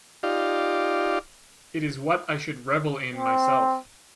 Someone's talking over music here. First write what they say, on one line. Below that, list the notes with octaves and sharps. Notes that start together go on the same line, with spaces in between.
It is what I should revel in myself.
D#4 F4 G4 D5 F5
C4